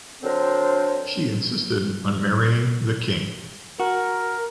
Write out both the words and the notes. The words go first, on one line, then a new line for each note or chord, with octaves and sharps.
She insisted on marrying the king.
D3 F#3 C4 D4 A#4 C5
F#4 A#4